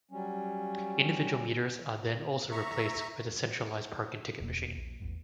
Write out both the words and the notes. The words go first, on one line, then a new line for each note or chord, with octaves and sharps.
Individual meters are then also replaced with a centralized parking ticket machine.
F#3 G3 C#4
E5 A#5 C#6
D1 E2 B2 A#3
A#1
A1 E2 G#2